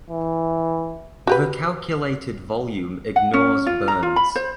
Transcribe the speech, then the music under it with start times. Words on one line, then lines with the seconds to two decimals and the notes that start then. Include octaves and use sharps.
The calculated volume ignores burns.
0.10 E3
1.27 F#4 G4 B4
3.16 F#5
3.34 C#4
3.67 F4
3.88 A#5
4.03 F4
4.16 B5
4.36 C5